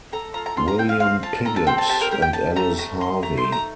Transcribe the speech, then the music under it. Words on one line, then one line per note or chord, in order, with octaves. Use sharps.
William Piggott and Alice Harvey.
A4 A#5
F4 A#5
A#5
F4 C6
A#5
C4 G5
F5
C4 F5
F4 A5
A4 A#5
A5
C4 G5
A5
G4 A5
A#4
G4 A#4
G5
G4 A5
A3 A#5
A3 A#5
D#4 C6
A3 A#5
C6
D#4
A#5